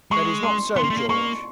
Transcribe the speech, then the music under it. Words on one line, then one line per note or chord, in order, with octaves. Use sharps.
'That is not so, George.'
G#3 C#6
C6
B3 C6
A#3
A3
A#3
A#3 C#6